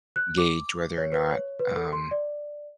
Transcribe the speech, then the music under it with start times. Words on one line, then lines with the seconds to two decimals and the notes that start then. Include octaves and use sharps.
gauge whether or not, um,
0.16 F#6
0.38 D6
0.98 C#5
1.12 B4
1.32 C#5
1.59 B4
1.76 A4
1.93 C6
2.11 D5